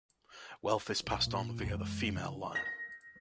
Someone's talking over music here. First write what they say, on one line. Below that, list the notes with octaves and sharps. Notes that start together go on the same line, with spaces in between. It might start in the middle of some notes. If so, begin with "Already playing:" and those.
Wealth is passed on via the female line.
B1
A#2
C2 F#2 A#2
F#2 E3 G#3
C#3 F3
A#6